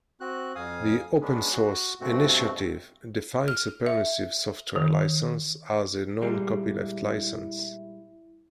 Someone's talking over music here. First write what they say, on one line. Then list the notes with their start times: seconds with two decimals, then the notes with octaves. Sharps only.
The Open Source Initiative defines a permissive software license as a "non-copyleft license".
0.21 C4 F#4 F#6
0.55 F2 F5 G#5 D#6
1.21 G#3 B3 C#4 D4
1.52 F#4
2.01 G2 B2 A3 C4 F#4
3.48 F6
3.86 E5
4.76 D#3
6.22 A#2 G3 G#3 E4